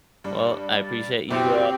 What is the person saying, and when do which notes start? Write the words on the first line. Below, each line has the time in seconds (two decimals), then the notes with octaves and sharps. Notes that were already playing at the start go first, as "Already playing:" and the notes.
Well, I appreciate you, uh,
0.24 G2 D4
0.80 D5
1.30 F#1 B2 C4 E4 F#4 G4 G5 D6